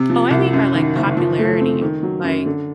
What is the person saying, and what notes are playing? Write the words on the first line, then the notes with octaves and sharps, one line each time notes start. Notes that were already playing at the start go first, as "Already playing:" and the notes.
Oh, I mean by, like, popularity. Like,
Already playing: C3
F3
C2
F#2
D#3
F#1
F3
A3
C4
D#3
F#3
F#2
D3